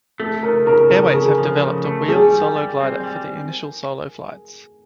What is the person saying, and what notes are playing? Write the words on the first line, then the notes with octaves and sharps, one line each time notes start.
Airways have developed a wheeled solo glider for the initial solo flights.
A3 A4
C#3 A#4
C#3 A#4
C#3 A4
C#3 G#4
F3
C#3
A3
G3 G#4
G3
G3
C4
G3